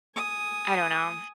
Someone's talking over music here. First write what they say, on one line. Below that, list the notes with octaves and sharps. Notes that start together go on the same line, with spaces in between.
I don't know,
G#5 D#6